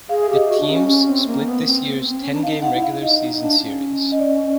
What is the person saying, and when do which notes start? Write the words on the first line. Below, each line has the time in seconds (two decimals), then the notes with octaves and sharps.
The teams split this year's ten-game regular season series.
0.09 G#4 F5
0.22 E5
0.30 G4
0.35 D#5
0.47 F#4 E5
0.60 D4
0.69 C#4
0.88 C#4
1.07 C4
1.26 A#3
1.46 B3
1.61 C#4
1.66 C4
2.09 C4
2.21 C#4
2.32 D4
2.43 D#4 F5
2.62 F#5
2.73 E4
2.82 F5
3.02 D#4 D#5
3.22 D#4
3.41 D4
3.60 C#4
4.12 D#5
4.20 D5